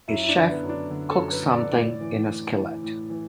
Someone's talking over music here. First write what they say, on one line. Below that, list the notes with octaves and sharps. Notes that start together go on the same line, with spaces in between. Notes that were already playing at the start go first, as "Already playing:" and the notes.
A chef cooks something in a skillet.
F#2 E4
E4
D4
D3
B3
F#2
D4
D3
A4
F#2
B4
D3
D5
A2 D5
E3
A2
E3
A2
E3